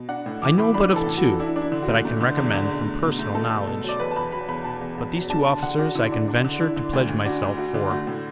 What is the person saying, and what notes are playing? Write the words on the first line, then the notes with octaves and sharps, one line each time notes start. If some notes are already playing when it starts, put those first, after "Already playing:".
"I know but of two that I can recommend from personal knowledge; but these two officers I can venture to pledge myself for."
Already playing: B2
D4 F#5
A2
E3 D6
A2 B5
D4 B5
E3 A4
A2
F#4
E3
D4 E4
D4
E4
D3
F#4
A3
A3
D3
E2
D3
B2
A3
B2
A3
A3 A4
B2
B2
F#3
D5
E2 B4
A5
E2 B5
F#3 B5
E2 B5
B2 A5
E2
E2
F#3
D4 A5
D3 A5
D3 F#5
D4 F#4
D3 E4
D4
D4
D3
D4 E4
D3
D2
D2
D4 F#4
D2
D2 F#4
D3
A3 F#4
A2